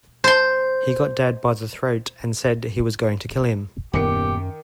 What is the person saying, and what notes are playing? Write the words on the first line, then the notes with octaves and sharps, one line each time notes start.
He got dad by the throat and said he was going to kill him.
C5 C6
D#1 F#2 D#3 B3 G4 D6 C#7